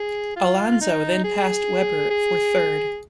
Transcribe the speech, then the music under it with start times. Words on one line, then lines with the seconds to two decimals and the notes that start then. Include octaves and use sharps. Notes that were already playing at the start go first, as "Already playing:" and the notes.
Alonso then passed Webber for third.
Already playing: G#4
0.37 F4
0.81 D#4
1.24 G#4
2.10 G#4